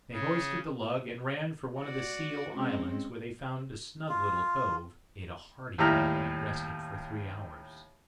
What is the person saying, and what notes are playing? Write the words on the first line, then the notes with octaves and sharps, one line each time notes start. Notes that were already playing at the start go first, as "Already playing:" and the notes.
They hoisted the lug and ran for one of the Seal Islands, where they found a snug little cove, ate a hearty meal, and rested for three hours.
C#3
F#4 D5
G#3 C4 C#4
F4
D#2 A2 G3 E5 A#5 F6